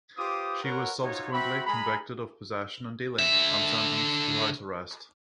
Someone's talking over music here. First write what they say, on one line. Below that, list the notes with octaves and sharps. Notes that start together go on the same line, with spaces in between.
She was subsequently convicted of possession and dealing and sentenced to house arrest.
F4 G4 B4 C5 D6 D#6
A#4 B4 C#5 F#5
D#4 F4 F#4 C#5
C4 F#4 E5 B5
G#3 G#4 G#5 A#5 B5
D3 E5